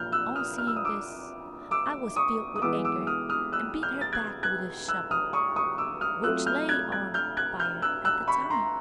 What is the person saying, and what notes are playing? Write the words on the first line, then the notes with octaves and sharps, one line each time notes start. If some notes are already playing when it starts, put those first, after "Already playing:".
On seeing this I was filled with anger, and beat her back with a shovel, which lay on the fire at the time.
Already playing: A#2 F3 F6 G6
E6 F#6
D#6 F6
F6
E6
D#6
D6 E6
D6 E6
C#6 D#6
D#6
E3 G#3 B3 D6 E6
D6 E6
D#6 F6
D#6 F6
E6 F#6
F6 G6
A6
F#6 G#6
F#6 G#6
E6 F#6
D#6 F6
C#6 D#6
C#6 D#6
D6 E6
D#6 F6
F#3 A3 C4 F4 E6 F#6
F6 G6
F#6 G#6
F#6 G#6
F6 G6
F#6 G#6
F6 G6
E6 F#6
E6 F#6
B5 C#6
A#5 C6